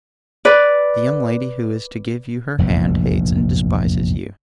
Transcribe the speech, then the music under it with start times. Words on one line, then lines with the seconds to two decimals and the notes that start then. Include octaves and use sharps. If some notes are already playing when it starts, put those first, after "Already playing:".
The young lady who is to give you her hand hates and despises you.
0.45 B4 D5
2.58 F1 A#1 E2 G#2